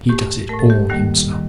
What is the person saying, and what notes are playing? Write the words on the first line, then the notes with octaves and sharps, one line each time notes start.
He does it all himself.
A2 A3 G4
A2 A3 A#4
A4
G4
D#2 D#3 G3 A#3
D#3 G3